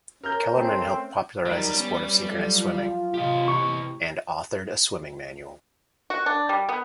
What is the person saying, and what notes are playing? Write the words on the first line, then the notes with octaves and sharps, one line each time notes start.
Kellermann helped popularize the sport of synchronised swimming; and authored a swimming manual.
C#4 A#4 F6 G6
A3 C4
D#3 F#3 G3
B3 C#4
F3 F#3 A3
F4
A2 C3 F4 G4 D#5
E3 C#6
F#4
D4
G3
B3